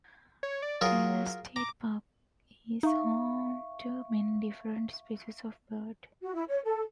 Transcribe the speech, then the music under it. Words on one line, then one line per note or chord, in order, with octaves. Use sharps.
Tyler State Park is home to many different species of birds.
C#5
D5
F#3 F4 G#4 A#4
A#5 D6
D#4 E5 F5 C#6
F#4
E4
C#5
A4